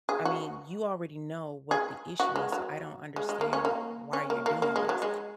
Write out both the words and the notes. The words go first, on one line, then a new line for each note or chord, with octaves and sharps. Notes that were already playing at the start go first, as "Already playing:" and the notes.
"I mean, you already know what the issue is, so I don't understand why you're doing this."
G#4
F#4
G#4
F#4
G#3
F#3
G#3
G#3
A#3
C#4
A#3
C#4
A#3
A#3
A#3
G#3
F#3
G#3